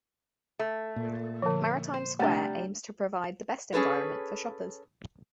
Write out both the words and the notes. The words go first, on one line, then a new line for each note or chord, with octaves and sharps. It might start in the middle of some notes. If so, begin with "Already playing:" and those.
Maritime Square aims to provide the best environment for shoppers.
A3
A#2
D3 F3
C5
C3 G3 A3 D4
C#4 G#4 A4 B4 C#5